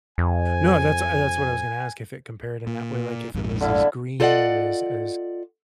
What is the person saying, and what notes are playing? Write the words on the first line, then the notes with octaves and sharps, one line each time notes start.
No, that's, uh, that's what I was gonna ask, if it compared in that way, like, if it was as green or as as,
F2 G#5
A#2
A#1 F2 G#2
D3 E4 F5
F4 A4 C5 D5 D#5 F#5